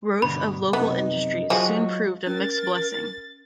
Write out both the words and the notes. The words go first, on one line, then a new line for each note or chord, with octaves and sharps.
Growth of local industries soon proved a mixed blessing.
G2 B2 D3 D4 B5
B1 F#2 C3 B3 D#4
F3 F#3 F4 F#4 G#4
C#4 A#4 A6